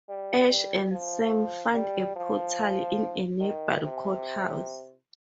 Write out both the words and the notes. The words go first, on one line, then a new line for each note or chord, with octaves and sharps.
Ash and Sam find a portal in a nearby courthouse.
G3
G3
F3
G3
F3
D#3
C3